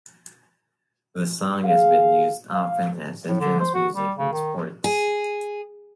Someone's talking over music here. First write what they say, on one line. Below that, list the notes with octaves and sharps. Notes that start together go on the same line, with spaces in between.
The song has been used often as entrance music in sports.
G#4 F5
F5
A2
D3
C5
F#4
G3
C#3
D#3
G#4